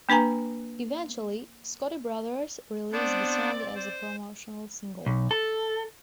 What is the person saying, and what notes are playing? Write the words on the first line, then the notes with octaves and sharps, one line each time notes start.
Eventually, Scotti Brothers released the song as a promotional single.
A#3 D4 B4 G#5 A#5
B3 C4 D4 C5 D5
C5
B1
A4